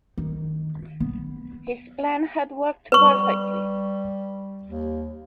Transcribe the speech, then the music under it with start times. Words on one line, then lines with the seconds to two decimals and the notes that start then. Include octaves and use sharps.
His plan had worked perfectly.
0.18 D#3
1.00 B3
2.92 G3 B4 C#6
4.63 D#2